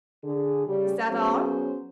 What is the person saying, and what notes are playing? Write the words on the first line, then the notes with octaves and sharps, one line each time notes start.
"Is that all?"
D3 G#4
C#3 G3
F#3 B3 C#4 G#4 C5